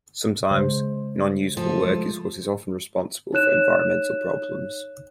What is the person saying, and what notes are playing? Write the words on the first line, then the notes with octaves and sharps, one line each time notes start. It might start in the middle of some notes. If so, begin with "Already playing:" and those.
Sometimes, non-useful work is what is often responsible for environmental problems.
C#3 G#3 C5
F3 A3 A4
G#3
D#4 C#5 F#6 E7